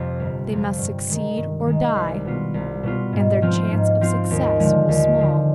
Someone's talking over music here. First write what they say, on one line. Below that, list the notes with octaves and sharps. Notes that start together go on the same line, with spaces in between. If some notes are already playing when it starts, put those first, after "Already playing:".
They must succeed or die, and their chance of success was small.
Already playing: F2 C3
G1
F2 C3
G2
D#3 G#3
G2
D#3 G#3
C2
B2 B3 F4
C2
B2 B3 F4
G#2
F3 C4 F4
G#2
F3 C4 F4
D#2
D3 F3 G#3
D#2
D3 F3 G#3